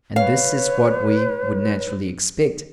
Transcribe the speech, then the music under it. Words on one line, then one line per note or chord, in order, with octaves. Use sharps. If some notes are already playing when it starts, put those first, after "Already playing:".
And this is what we would naturally expect.
B4 C#5 F5